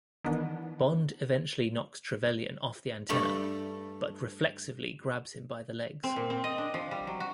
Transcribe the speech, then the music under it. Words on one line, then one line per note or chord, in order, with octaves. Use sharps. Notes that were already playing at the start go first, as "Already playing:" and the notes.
Bond eventually knocks Trevelyan off the antenna, but reflexively grabs him by the legs.
D#3 E3 B3 D4
G2 A3 A4 B5
C4
A#2
C4
D#5
D4
F3
G3
F#3
F#4